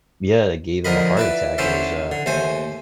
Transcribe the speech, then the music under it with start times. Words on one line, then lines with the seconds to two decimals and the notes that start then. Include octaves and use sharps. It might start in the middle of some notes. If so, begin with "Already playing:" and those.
yeah, it gave him a heart attack, it was, uh
0.85 D3 F3 A#4 D#5 B5
1.17 E4 B4 D5
1.58 D3 C#4 E4 C5 D5 E5
2.12 D3
2.26 D#2 A3 C5 G#5